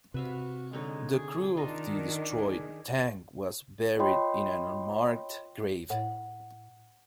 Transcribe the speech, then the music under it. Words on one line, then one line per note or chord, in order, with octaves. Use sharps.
The crew of the destroyed tank was buried in an unmarked grave.
C3 F#4 B4 E5 F5
D3 G#3 D#4 C#5
G#4
D#3 D4 D#4 F4 D#5
G#4
F4 C#5 D#5 G5 B5 C6
A2 F#5